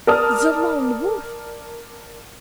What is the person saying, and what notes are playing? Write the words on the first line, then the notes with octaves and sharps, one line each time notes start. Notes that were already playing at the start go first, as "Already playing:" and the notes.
"The Lone Wolf!"
A#4 D5 A5 D#6 F6